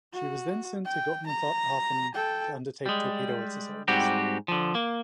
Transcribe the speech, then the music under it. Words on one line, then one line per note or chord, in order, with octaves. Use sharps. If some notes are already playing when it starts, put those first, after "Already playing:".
She was then sent to Gotenhafen to undertake torpedo exercises.
F#4
G5
A#5
A4 G5
G3 G#3
G#2 G3 C4 F#4 G4
D3 F3
A#3